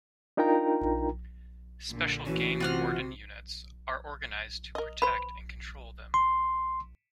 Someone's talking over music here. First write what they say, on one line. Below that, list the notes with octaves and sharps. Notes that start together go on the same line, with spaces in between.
Special game warden units are organized to protect and control them.
D4 D#4 F4 A#4 G5 A#5
A#2 D3
D2 E3 C#4 F#4
C3 F4 F#5 F6
A#4 D#5
B4 C5 B5
C6